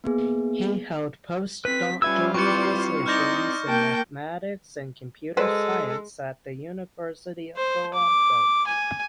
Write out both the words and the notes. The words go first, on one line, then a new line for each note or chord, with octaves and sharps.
He held postdoctoral positions in mathematics and computer science at the University of Toronto.
A#3 B3 G#4
C4 B4 B6
G3 C#4 F4 B4 E5 E6 G#6
C4 E4 B4 C5 D5 C#6 C#7
D#4 D5 C6 F6 G6 A#6
A#3 G5 A5
F#3 G#3 A4 B4 C5
C5
D6
G#5